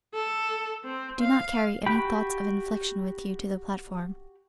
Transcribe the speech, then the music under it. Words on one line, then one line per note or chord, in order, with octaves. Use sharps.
Do not carry any thoughts of inflection with you to the platform.
A4
C4
F5
F#4 G4 G5 B5